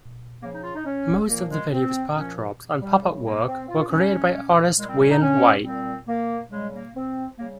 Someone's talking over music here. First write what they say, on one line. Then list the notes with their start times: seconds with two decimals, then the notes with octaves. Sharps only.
Most of the video's backdrops and puppetwork were created by artist Wayne White.
0.41 C#3 F3 A#3
0.52 D#4
0.63 F4
0.75 D#4
0.85 C#4
1.29 A#2 F3 A#3
1.50 G#3
1.72 C4
2.16 A#2 F3 C#4
2.82 G3
3.02 C#3 G3
3.24 A#3
3.47 C4
3.68 F4
3.89 C3 G3 C#4
4.77 A#2 G3 G#3
4.88 C4
4.99 C#4
5.09 D#4
5.21 C#4
5.64 A#2 G3 C4
6.08 A#3
6.51 C#3 G3 G#3
6.73 A#3
6.95 C4
7.38 C#3 G3 A#3